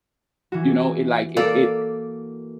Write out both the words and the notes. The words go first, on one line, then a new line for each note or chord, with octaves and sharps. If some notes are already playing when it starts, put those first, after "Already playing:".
You know, it like it it
E3 F#4
A#3 A4 D5